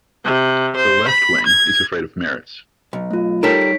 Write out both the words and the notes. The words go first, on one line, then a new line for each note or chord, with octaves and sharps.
The left wing is afraid of Meretz.
C3
C5
B5
G#6
B1
A3 F4
G3 D#4 A4 A#4 C#5 B6
D7